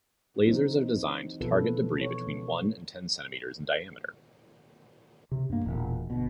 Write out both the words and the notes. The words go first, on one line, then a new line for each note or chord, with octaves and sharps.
Lasers are designed to target debris between one and ten centimeters in diameter.
E3 F#3 C4 D#4
B2 E3 F3 F4 A4 B4
C#5
C3
G2 A#3
E1 A#2
G1 B2